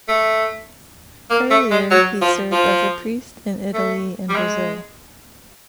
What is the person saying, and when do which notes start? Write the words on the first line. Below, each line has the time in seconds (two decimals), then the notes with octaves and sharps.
Earlier, he served as a priest in Italy and Brazil.
0.08 A3
1.31 A#3
1.50 A3
1.71 G#3
1.91 F#3
2.21 F3
2.52 F3
3.74 A3
4.29 G3
4.35 G#3